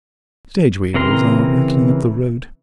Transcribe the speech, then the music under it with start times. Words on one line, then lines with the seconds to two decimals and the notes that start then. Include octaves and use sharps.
Stage-wheels are rattling up the road.
0.94 C#3 E3 C4 A#4 C6